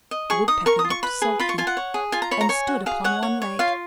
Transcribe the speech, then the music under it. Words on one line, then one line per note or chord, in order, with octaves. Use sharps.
The Woodpecker looked sulky and stood upon one leg.
D#5
G#4 C#6
D#4 D#6
A#4 C#6
D#6
F4
C#6
B4 B5
G#4
F4 B5
C#6
F4 G#5
F#5
C#5
G#4
F4 G#5
A#5
C#5 B5
A#5
C#5 G#5
F#4
G#4 F5
C#5 F#5
C#5
C#5
F4 F5